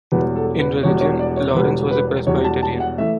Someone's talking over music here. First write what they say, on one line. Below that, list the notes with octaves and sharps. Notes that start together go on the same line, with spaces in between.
In religion, Lawrence was a Presbyterian.
E1 E2 B2 G3 B4
A4
B4
E1 E2 B2 G3 C#5
C#5
D5
C#5
E1 E2 B2 G3 B4
B4
E1 E2 B2 G3 C#5
A5
A5
F#5
E3 A3 E5